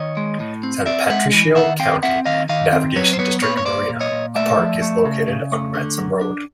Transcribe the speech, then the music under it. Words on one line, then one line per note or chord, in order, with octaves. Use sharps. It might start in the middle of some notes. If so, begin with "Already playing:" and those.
San Patricio County Navigation District Marina, a park, is located on Ransom Road.
Already playing: D#3 C#5 D#5
G#3
A2
C4
C4 D5 E5
G#3 E5 F#5
E3
D#3 E5 F#5
C4 F5 G5
C4 E5 F#5
D#3 D#5 F5
D#3 D#5 F5
C4
F#3 B4 C#5
C5
B3 B4 C#5
A#2 B4 C#5
C#5
A#2 C5 D5
A#2
C#5 D#5
A#2
A3 D5 E5
F3
A3
C#3
C#3
A3
D3
F#3
D4